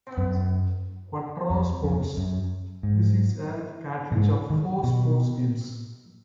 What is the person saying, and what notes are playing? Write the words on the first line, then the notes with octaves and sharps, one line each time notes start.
"Quattro Sports": This is a cartridge of four sports games.
F#2
F2
F2
F#2
G#2
A#2
G#2
D#3
B2